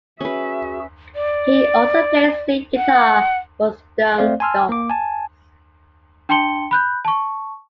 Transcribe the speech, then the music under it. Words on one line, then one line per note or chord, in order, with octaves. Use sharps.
He also plays lead guitar for Stone Gods.
C#4 F#4 G#4 B4 E5
D5
F#5
A3 C4 C5 D5 F5
G#5 A5 C6 E6 F6
A#3 D6
G#5 A5
D4 G5 A5 C6 C#7 G7
B5 F#6 G6
A5 C#6